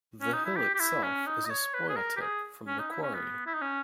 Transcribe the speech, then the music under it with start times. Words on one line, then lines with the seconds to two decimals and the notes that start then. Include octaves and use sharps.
The hill itself is a spoil tip from the quarry.
0.22 C#4
0.33 D#4
0.45 E4
0.56 G4
0.74 G4
0.80 E4
1.03 C#4
1.27 D#4
1.46 D#5
1.50 C#5
1.74 B4
1.89 G#4
1.97 A#4
2.16 G4
2.21 G#4
2.67 C#4
2.79 D#4
2.92 E4
3.03 C#4
3.15 B3
3.46 E4
3.54 D#4
3.61 C#4